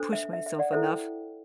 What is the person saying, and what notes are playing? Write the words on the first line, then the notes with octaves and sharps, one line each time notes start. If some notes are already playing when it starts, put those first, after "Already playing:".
push myself enough.
Already playing: D4 A4 C5
E5
E5
E5
D5 F#5
E4 A4 C5 E5
G5